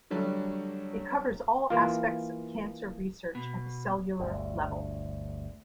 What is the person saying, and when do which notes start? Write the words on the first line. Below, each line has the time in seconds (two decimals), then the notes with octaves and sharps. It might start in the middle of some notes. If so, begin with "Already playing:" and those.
It covers all aspects of cancer research at the cellular-level.
0.11 D3 F#3 G3 A3
1.70 E3 A#3 F4
3.35 B2
4.20 G1 D2